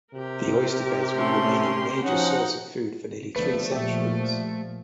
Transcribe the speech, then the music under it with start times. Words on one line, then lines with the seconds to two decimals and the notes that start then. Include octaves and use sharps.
The oyster beds would remain a major source of food for nearly three centuries.
0.14 C3 G4 A#4
1.15 A3 C#4 C6
2.04 F3 C#4 D#4 F#4 F#5
3.36 B2 D3 F3 A3 B4
3.72 A#2 F3 G4 E5